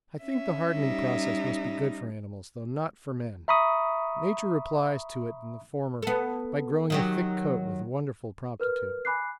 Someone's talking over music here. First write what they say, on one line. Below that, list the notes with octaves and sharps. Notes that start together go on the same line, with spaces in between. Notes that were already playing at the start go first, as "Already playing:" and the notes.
I think the hardening process must be good for animals though not for men; nature replies to it in the former by growing a thick coat with wonderful promptitude.
C#4 E5
G3 D#4
E5 A#5 B5 C#6 D#6
B3 A4
D#3 F#3 G4
A#4 B4 F6
G#5 B5 D6 F#6 C7